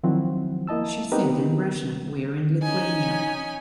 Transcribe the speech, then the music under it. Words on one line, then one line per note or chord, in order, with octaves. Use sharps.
She said, I'm Russian, we're in Lithuania.
D#3 F3 F#3 C4 E4 F#4
A#3 E4 D#5 A5 E6
B3 C4 D#4 G4 A#4 B4
C#4 D#4 G#5